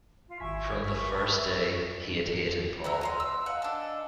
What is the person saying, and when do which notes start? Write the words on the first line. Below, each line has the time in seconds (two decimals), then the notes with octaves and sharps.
From the first day he had hated Paul.
0.28 F4
0.40 G#1 E4 G#5 C#6 B6
0.81 B5 C#6
1.13 G5 A5 D#6
1.32 E5 E6
2.84 F#4 A#4 E5
3.01 D#5 F5 C6
3.20 E6
3.46 D#5 F5 F#5 G#5
3.62 D4 A4